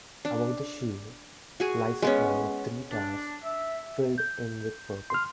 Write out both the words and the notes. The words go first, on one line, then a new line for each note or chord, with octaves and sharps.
Above the shield, lies a crown of three towers filled in with purple.
D4
F#4 G#4 G#5
G#3 B3 C#4
D4
E5
G6
C6 F6